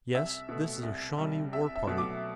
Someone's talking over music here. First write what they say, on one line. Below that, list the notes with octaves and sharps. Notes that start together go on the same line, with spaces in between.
Yes, this is a Shawnee war-party.
C2 E5
B2 A3
C2
C3 G3
C2 E5
E5
B2 F#3 A3
D6